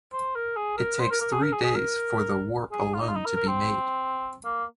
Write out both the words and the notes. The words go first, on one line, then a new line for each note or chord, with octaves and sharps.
It takes three days for the warp alone to be made.
C5
A#4
G#4
A#4
C5
A#4
A#4
G#4
A#4
G#4
G#4
A#4
G#4
F4
D#4
F4
D#4
A#4
A#4
C4
A#3